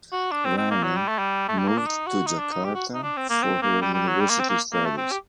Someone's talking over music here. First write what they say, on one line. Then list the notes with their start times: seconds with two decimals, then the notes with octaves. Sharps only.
Rani moved to Jakarta for her University studies.
0.12 F#4
0.31 D4
0.45 C4
0.58 C4
0.71 A#3
0.83 F#3
0.96 G3
1.08 A3
1.18 G3
1.48 A3
1.59 G3
1.68 A#3
1.77 D4
1.87 D#4
2.07 F#4
2.26 D#4
2.39 D4
2.52 D#4
2.64 G4
2.75 F#4
2.94 D#4
3.03 D4
3.17 C4
3.30 A#3
3.43 C4
3.62 A#3
3.82 G3
3.94 G3
4.07 F#3
4.20 G3
4.30 A#3
4.39 C4
4.49 A#3
4.73 A#3
4.86 A3
4.97 C4
5.11 G4